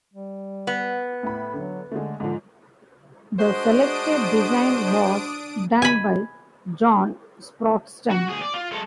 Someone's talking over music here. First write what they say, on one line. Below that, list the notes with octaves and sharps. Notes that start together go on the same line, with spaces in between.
The selected design was done by John Sproston.
G3
B3
A2 B5
D3 F#3
D3 G#3 A3
G#2 D3 F3
G#3 D4 F#4 C5 D#6 D7
G#5 B5
F#4
D2 G#4
D5
F4
G#3 A4